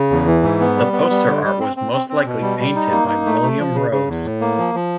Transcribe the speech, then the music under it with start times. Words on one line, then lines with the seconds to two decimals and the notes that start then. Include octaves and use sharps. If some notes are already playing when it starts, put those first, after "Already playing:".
The poster art was most likely painted by William Rose.
Already playing: C#3
0.11 E2
0.27 E3
0.43 G#2
0.60 B3
0.77 G3
0.93 B3
1.10 G3
1.27 D3
1.43 G3
1.60 C4
1.77 C4
1.93 C4
2.10 C4
2.26 B2
2.42 G3
2.59 G3
2.75 D#4
2.92 A#3
3.08 D#4
3.26 A3
3.42 A3
3.59 F3
3.75 C#3
3.91 C#3
4.08 E2
4.25 A2
4.41 A#3
4.58 F3
4.75 F3